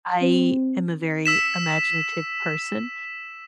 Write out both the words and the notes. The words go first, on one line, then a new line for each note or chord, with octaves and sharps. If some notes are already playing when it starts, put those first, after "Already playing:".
I am a very imaginative person.
C4
E6 B6 E7